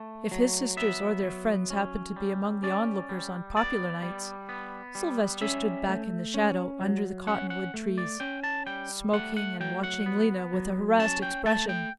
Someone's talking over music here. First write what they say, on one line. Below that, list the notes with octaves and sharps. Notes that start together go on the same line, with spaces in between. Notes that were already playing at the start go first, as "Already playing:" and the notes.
If his sisters or their friends happened to be among the onlookers on "popular nights," Sylvester stood back in the shadow under the cottonwood trees, smoking and watching Lena with a harassed expression.
Already playing: A3
F#3
B3 E5
F#3
C#4
G3
C#4 D5
G3
B3 D5
G3
B3
G3
C#4 E5
A3
C#4
F#3
C#4 F#5
F#5
A3
D5
C#4 G5
A5
G3 G5
A3 F#5
F#5
F#3 G5
F#5
B3
F#3
C#4 A5
G5
A3 A5
G5